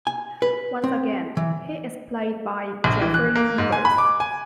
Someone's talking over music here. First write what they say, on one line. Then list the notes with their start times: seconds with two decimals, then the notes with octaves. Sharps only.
Once again, he is played by Geoffrey Beevers.
0.07 G#5
0.42 B4
0.84 C4
1.37 E3
2.84 A#1
3.01 E3
3.14 F#6
3.36 A#3
3.58 G#2
3.72 G#5
3.85 B5
3.98 D6
4.20 G#5